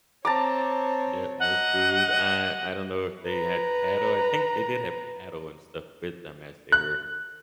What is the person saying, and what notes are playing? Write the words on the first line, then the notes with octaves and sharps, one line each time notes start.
Yep, no food, I I don't know if they had cattle. I think they did have cattle and stuff with them as they were
C4 C#5 A5 A#5 D6
D#5 F#5
B4 A#5
F#6